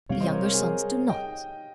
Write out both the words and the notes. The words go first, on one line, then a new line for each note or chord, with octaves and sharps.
The younger sons do not.
C3 G3 C4 C#5 F5
C5 D#5
A#4 C#5
A#4
G#4
D#5 G5